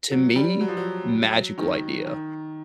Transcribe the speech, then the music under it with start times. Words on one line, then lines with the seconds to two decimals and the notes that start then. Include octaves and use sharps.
to me, magical idea,
0.11 F#3
0.36 G3
0.61 F#3
0.68 F3
0.77 F#3
1.58 D#3
2.06 D#3